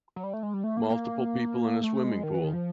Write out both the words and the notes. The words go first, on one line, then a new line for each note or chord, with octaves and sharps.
Multiple people in a swimming pool.
F#3
G3
A3
G#3
G3
A3
A#3
A#3
A3
G#3
D#3
E3
D#3
F3